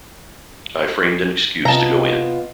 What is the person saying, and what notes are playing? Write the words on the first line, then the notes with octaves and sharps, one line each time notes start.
I framed an excuse to go in.
C3 B3 F4 D#5 A5 A#5